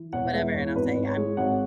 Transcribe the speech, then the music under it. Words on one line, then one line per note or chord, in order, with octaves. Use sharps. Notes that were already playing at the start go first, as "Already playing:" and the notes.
whatever, and I'll say, "I'm,
Already playing: E3
E1 C#5 F#5
G#3 B4 E5
E2 C#5
G#1 B4
C#5
G#2 B4
C#5
G#3
G#1 C#5 F#5